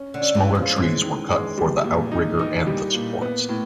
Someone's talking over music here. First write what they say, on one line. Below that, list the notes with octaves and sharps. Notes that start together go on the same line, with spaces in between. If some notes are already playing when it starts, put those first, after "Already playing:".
Smaller trees were cut for the outrigger and the supports.
Already playing: C#4
D3
C#4
E3
G#3
F3
E3 G#3
D#3
G#3
G3
A#2
D#4
E3 D#4
G3
A#2
B3
A2